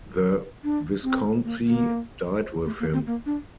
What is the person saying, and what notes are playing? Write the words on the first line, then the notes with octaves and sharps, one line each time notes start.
The viscountcy died with him.
D4
C4
A#3
A#3
A3
A#3
C4
A#3
D4